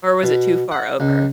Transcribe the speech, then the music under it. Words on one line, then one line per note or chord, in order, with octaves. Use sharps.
Or was it too far over?
B2
F#5
C#2